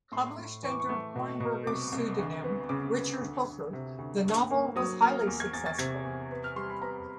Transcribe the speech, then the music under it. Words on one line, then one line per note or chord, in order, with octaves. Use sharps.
Published under Hornberger's pseudonym, Richard Hooker, the novel was highly successful.
A2 C6
A2
E3 C#6
D6
C#6
A3
B2
B2
C2 D6
C2
D2
B3
C#3 D6
B3
D2
D2
C3
D2
G2
A#3
F#3 D#6
A#3 F6
E2
G#6
E2 A6
A6
C3 G#6
E2
B3
F6
G3 C6
B5
B3 A#5